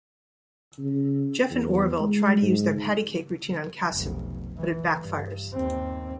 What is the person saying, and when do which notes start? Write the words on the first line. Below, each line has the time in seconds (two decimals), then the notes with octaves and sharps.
Jeff and Orville try to use their 'patty-cake' routine on Kasim, but it backfires.
0.79 C#3
1.51 E2
2.00 G#3
2.42 G#2
3.92 F1 B1
4.57 E3
4.99 G2
5.53 D#2 C4